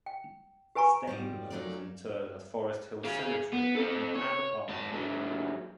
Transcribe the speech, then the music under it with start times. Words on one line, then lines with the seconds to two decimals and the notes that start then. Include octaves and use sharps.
Staebler was interred at Forest Hill Cemetery in Ann Arbor.
0.06 G5
0.75 G4 B4 G#5 A#5 C#6
1.07 G#2 F3 G3
1.50 F#3 A3 C#4 D#4 F4 D5
3.05 G#4 F5
3.53 B3
3.76 C4 A4
4.15 C#5
4.69 G#2 A5
4.93 G#2 F#3